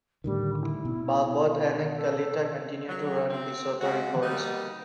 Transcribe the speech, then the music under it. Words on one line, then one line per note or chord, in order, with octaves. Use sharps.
Barbot and Coletta continue to run DeSoto Records.
A2 D3 D#3 G3
E4
B2
A4
F#3
C4
C#3 G#3 F#4
G3 A#3 B3 D#4